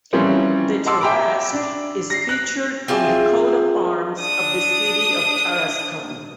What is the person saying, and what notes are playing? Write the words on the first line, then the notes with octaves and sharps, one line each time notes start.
The Tarasque is featured on the coat of arms of the city of Tarascon.
E3 F3 G3 A#3 C4 C#4
D#5 F#5 A5 C6 D6 E6
E5 G5 G#5 A#5 B5 D6
D4
A#6 C7
F#6
C4 F4 G#4 E5
D4 D#6